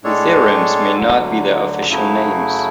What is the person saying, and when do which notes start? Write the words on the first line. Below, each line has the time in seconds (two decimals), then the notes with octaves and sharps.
The theorems may not be their official names.
0.03 A2 G#3 D4 A4 C#5
0.95 D2 D3 F#3
1.88 F#2 C#3 F#3 A3 E4